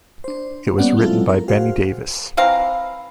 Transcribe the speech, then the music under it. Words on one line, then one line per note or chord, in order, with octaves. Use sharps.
It was written by Benny Davis.
D4 C5
G3 A#3 B3 C#4 D5 F#5
F#3 G#3 C4 E4 F4 A4
A#4
F#4 G#4 C5 F5
E3 C4 F5 A#5